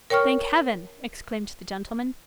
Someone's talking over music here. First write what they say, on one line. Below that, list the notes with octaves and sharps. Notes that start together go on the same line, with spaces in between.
'Thank Heaven!' exclaimed the gentleman.
A#4 C#5 G5 C#6 F6